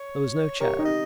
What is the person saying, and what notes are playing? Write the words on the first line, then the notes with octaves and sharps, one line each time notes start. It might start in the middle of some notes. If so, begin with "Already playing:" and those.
There was no chair.
Already playing: C#5
G4 A#4 C#5
D#4 G4
D#5